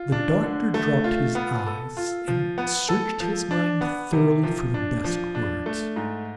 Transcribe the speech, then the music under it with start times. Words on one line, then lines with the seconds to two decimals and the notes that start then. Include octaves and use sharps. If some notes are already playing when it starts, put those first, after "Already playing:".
The doctor dropped his eyes, and searched his mind thoroughly for the best words.
Already playing: F4
0.12 D4
0.43 D3
0.74 A3
1.04 F4
1.35 B3
1.66 A4
1.97 F4
2.28 F3
2.58 B3
2.89 A4
3.20 F3
3.51 D4
3.81 B3
4.13 C3
4.43 F3
4.74 D4
5.04 F3
5.35 D4
5.66 A3
5.96 G#2